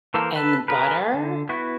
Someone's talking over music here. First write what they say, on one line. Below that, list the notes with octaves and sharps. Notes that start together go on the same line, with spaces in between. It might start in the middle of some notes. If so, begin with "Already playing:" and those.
and butter,
E3 A#3 A4 A#4 C5
A4 B4
G#4 A#4 B4
D3
B3 E4 F#4